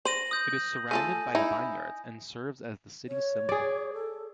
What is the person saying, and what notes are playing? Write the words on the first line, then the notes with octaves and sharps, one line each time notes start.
It is surrounded by vineyards and serves as the city's symbol.
C5 A#6 D#7 F#7
D#6 G6
A3 F4 A4 G#5
D#4 E4
C#5
G#4 D5
A4